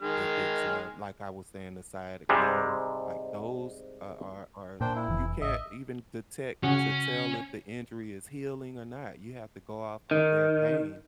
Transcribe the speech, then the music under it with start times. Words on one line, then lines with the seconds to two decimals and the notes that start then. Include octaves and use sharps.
if it's, uh, like I was saying, the sciatic nerve, like those a are are you can't even detect to tell if the injury is healing or not, you have to go off of their pain.
0.01 D#3 G#3 F6
2.29 G#2 C3 G3 G#3
4.81 A#2 D4 C5 G5
4.95 E4
5.08 F1 E3
5.41 A1 D#5 E5
6.63 C#3 C#4 F#4
10.11 D#3